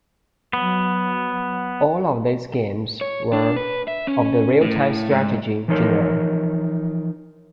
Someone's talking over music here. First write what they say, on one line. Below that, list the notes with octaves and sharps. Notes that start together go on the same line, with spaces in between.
All of these games were of the real-time strategy genre.
F#3 B3
C#5
D4
B4
E5
C#4
A2
G#2
E3 F3 D#4 A#4 C#5